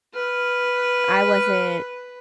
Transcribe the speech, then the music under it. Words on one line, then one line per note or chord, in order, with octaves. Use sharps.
I wasn't
B4 F6